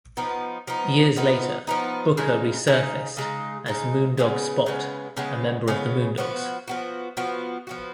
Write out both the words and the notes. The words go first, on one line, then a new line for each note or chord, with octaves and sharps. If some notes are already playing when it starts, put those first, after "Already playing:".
Years later, Booker resurfaced as "Moondog Spot", a member of The Moondogs.
F3 B3 D#4
F3 B3 D#4
F3 B3 D#4
F3 B3 D#4
C#3 G#3 D#4
C#3 G#3 D#4
C#3 G#3 D#4
C#3 G#3 D#4
C#3 G#3 B3
C#3 G#3 B3
C#3 G#3 B3
C#3 G#3 B3
F3 B3 F#4
F3 B3 F#4
F3 B3 F#4
F3 B3 F#4